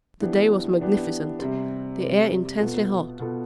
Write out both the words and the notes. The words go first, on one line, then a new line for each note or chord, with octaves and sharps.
The day was magnificent; the air intensely hot.
E3 B3 D4 G4
E3 B3 D4 G4
C3 G3 C4
C3 G3 C4
B2 B3 F4 A4
B2 B3 F4 A4